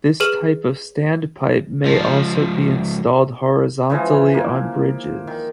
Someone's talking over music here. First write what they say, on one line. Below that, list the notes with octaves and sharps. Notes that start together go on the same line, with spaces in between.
This type of standpipe may also be installed horizontally on bridges.
G#4 B4 F6 E7 F#7
C#2 F3
C#3 E3 F3 G#3
A#3
D#3